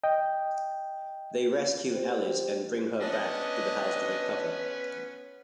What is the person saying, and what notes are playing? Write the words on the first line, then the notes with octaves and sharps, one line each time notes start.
They rescue Alice and bring her back to the house to recover.
D#5 G5
G4 C5
B3 C#4 D4 B4 D#5